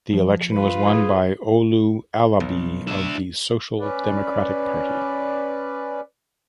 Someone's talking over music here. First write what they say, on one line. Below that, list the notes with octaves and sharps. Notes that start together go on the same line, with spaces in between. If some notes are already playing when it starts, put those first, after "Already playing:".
The election was won by Olu Alabi of the Social Democratic Party.
F3
F4 B4
G#4
B1
D4 E5
C#4 B4 D5